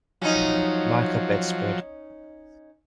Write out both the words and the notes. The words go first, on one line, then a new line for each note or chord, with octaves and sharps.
Like a bedspread.
F3 F#3 C#4 D#4